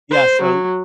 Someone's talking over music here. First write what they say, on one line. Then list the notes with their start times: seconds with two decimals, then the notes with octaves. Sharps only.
Yeah, so
0.12 C5
0.44 F#3